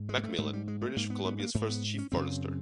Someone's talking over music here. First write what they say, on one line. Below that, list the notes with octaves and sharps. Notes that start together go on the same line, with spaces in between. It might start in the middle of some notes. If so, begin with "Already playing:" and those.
MacMillan, British Columbia's first Chief Forester.
Already playing: G#2
G#3
A#3
A3
G#2 A3
G3
G#3
A3
G#2 A#3
B3
B3
A#3
G#2 A3
A#3
B3
C#4
F#2 C#3 C4